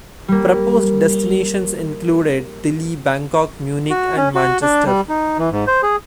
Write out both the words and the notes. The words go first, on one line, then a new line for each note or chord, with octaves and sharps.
Proposed destinations included Delhi, Bangkok, Munich and Manchester.
G3 A#3
F#4
C#4
F#4
D4
G3
D#4
E3
G#2
C5
G#4